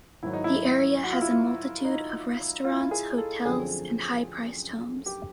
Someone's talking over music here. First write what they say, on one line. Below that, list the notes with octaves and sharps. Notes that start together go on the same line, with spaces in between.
The area has a multitude of restaurants, hotels and high-priced homes.
G#2 D#3 F#3 E4
D#4
E4
F#4
F4
E4
F4
D#4
F4
E4
F4
G#4
A4
F#2 D3 F3 A3 C4 G#4
G4